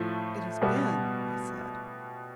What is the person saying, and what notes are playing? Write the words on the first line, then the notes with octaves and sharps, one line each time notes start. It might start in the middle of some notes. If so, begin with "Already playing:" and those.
"It has been," I said.
Already playing: A2 F3 A3
B2 G3 B3